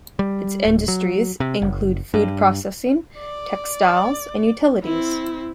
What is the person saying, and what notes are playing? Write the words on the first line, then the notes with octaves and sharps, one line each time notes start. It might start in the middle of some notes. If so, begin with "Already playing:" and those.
Its industries include food processing, textiles, and utilities.
G3
D1
F#3
C3
F#1
G2
D5
C4 E4